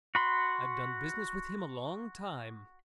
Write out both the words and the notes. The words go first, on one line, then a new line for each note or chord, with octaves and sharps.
I've done business with him a long time.
F#4 B5 C6